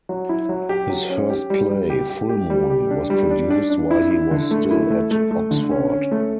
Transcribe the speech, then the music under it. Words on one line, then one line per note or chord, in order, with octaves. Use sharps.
His first play, "Full Moon", was produced while he was still at Oxford.
F#3
E4
F#3
G4
F#3
C#4
G4
G3
G3
G4
G4
G4
G3
G4
D4
G3
D4
D4
D4
E4
E4
D3
A3
E4
A3
A3
A3
D3
C#4
C#4
A3